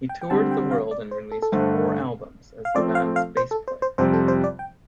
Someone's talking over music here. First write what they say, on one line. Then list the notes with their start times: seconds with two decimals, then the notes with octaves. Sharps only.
He toured the world and released four albums as the band's bass player.
0.09 G5
0.22 G5
0.30 D3 G3 C4 A5
0.51 G5
0.71 F5
0.91 D5
1.11 C5
1.32 A4
1.42 A4
1.52 G2 D3 A3 C5
2.65 F5
2.74 F3 A3 C4 A4 C5 D5
2.95 F5
3.16 F5
3.37 C5
3.51 A4
3.68 C5
3.82 C5
3.98 F2 C3 G3 C4 C5
4.13 A4
4.28 C5
4.44 D5
4.59 G5